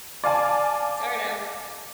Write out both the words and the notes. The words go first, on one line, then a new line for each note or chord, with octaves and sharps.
sort of
D5 F5 G#5 A5